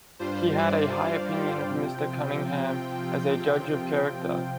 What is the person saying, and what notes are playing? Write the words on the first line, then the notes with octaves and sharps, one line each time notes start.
He had a high opinion of Mr Cunningham as a judge of character.
G2 G3 D4 F4 C5
D5
F5
G5
C3 F3 C4 F4